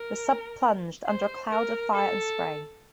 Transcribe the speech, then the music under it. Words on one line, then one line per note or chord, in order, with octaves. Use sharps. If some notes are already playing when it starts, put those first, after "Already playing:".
The sub plunged, under a cloud of fire and spray.
Already playing: A#4
C5
A#4
A4